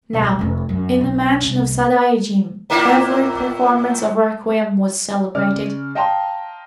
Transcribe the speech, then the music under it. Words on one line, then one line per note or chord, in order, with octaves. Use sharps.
Now, in the mansion of Sadaijin every performance of requiem was celebrated.
D1 B1
F1 C#4
F#2
B1
C2 C#4
A2 A#3 E4
C#3 D5 F6
D#5 F5 G5 A5 A#5 C6